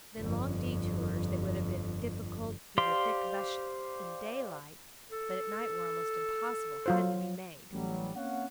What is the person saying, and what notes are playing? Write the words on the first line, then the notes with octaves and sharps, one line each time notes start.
Then long detours, that would have been difficult through the thick bush in daylight, but at night were almost impossible, had to be made.
G1 F2
G4 C5 D5 F5 C6
A4
F#3 F4 C5
A1 F#3 G3
A#3 C4 C#4 C#5 F5 F#5